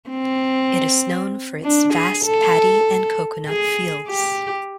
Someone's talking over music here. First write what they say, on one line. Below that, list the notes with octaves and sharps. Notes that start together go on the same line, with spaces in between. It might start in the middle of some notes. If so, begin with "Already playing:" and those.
It is known for its vast paddy and coconut fields.
C4
D4
G#4
A4
G#4
G4